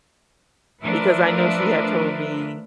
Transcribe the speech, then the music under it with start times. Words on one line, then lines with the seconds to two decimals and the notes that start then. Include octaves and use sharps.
because I know she had told me,
0.83 F3 A3 D4 A#4 B4 E5